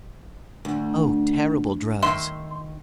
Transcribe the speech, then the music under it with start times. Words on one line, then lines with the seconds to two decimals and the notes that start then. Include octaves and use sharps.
"Oh! terrible drugs."
0.65 D2
2.03 D#3 E5 C6